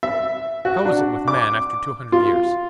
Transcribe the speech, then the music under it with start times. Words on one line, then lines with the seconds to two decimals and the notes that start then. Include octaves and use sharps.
How is it with man after two hundred years?
0.03 E5
0.65 F#4
0.85 D4
1.28 D6
2.12 F4